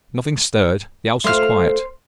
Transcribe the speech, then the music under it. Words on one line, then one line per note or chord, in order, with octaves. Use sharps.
Nothing stirred--the house was quiet.
A3 F4 C5 F6